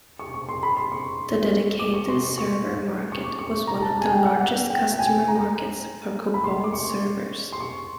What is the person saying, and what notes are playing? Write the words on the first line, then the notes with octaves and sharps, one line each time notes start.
The dedicated server market was one of the largest customer markets for Cobalt servers.
C#6
C#6
C6
B5
C6
C#6
D6
C#6
C6
C#6
C#6
C#6
D6
C#6
A#5
A5
G#5
G5
F#5
F#5
G5
G5
G#5
A#5
B5
C6
D6
C#6
C6
C#6